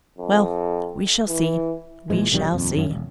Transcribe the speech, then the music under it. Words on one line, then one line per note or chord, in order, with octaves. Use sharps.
Well, we shall see; we shall see.
F2
E3
A#2 C#3 E3 G#3
B1 F2 D#3 G3
D#1 F2
F#2 C#4
E1